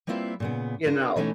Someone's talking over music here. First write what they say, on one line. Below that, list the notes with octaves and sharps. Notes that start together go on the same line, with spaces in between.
you know,
G3 A#3 C4 E4 F4 B4
A#2 C#3 B3
D4 F4 A#4
B2 E3 A3 C#4 D#4